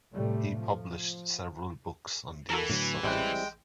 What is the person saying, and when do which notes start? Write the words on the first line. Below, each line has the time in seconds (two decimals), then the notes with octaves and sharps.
He published several books on these subjects.
0.12 A2 C3 G3 A3
0.58 F3
2.50 E3 F#4 A4 A#4
2.70 A2 D3 F#3
3.03 A1 G3 G#3 C4 E4 G5 F#6